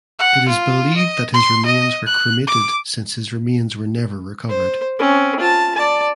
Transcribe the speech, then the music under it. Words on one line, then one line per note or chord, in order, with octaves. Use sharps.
It is believed that his remains were cremated since his remains were never recovered.
F#5
F4
D#5
C6
D#5
F#6
D6
C5
C4 C#4
F4 A5
D5 A5